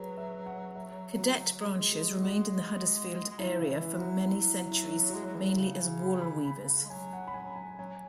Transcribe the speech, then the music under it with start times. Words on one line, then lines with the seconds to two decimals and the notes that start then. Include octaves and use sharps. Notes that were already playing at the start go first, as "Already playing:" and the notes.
Cadet branches remained in the Huddersfield are for many centuries mainly as wool weavers.
Already playing: F#3 F#4 G#4 B4
0.17 E5
0.46 F#5
0.76 E5
1.19 F#4
1.64 G#3 G#4
1.92 G#4
2.22 F#4
3.31 G#3
3.39 F#3 E4
3.59 C#3
3.68 E3 E4
3.98 F#3 F#4
4.27 E4
4.71 E4
5.09 F#4
5.15 G#3 G#4
5.25 F#3
5.35 E3
5.45 F#3
5.58 C#3
6.03 B5
6.21 B5
6.47 B5
6.85 G#3
6.90 F#3 G#5
7.13 F#5
7.27 B5
7.34 F#3 G#5
7.56 G#5
7.79 F#3 G#5